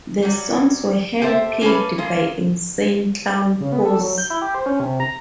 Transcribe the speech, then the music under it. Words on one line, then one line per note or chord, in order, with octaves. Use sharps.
The songs were hand picked by Insane Clown Posse.
F#3 G3
G4 A4 C5 E5
A#3 C#4 A4 B4
G#3 A#3 F4
C#3
B3
A4
F#3
G6
E4
G4
C5
C#4
C3
A#5